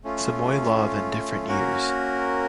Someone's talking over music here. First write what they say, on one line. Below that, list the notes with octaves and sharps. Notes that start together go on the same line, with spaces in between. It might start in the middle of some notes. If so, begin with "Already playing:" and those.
Samoylov in different years.
A3 C#4 F4
A#3 C#4 F#4 A#4